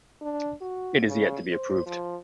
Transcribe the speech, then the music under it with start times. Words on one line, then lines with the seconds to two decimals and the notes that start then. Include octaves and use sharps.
It is yet to be approved.
0.22 D4
0.61 F#4
1.08 C#3
1.51 C5
1.86 F3